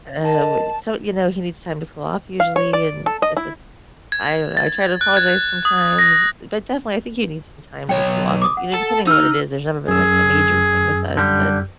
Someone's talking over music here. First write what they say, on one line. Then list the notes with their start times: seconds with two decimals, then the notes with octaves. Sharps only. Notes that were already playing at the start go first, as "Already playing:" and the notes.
uh, what it so, you know, he needs time to cool off usually, and if it's I don't know, I try to apologize sometimes, d but, definitely, I think he needs some time to cool off, and, you know, depending on what it is, there's never been, like, a major thing with us, but
0.25 A#4 D#5 A5
2.40 F5
2.56 C#5
2.73 D5
3.06 A4
3.22 D#5
3.37 E4
4.12 G#6
4.57 A6
5.01 F#6
5.17 G#6
5.65 D#6
5.99 A#6
7.89 B1 C#5 G5
8.42 D6 D#6
8.57 F#5
8.74 A4 A5
9.07 D#4 E6 F6
9.88 F#2 G#4 E6
11.17 D3 G3